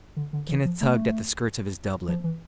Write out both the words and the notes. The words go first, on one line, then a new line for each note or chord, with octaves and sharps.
Kenneth tugged at the skirts of his doublet.
D3
D3
E3
F3
A3
F3
E3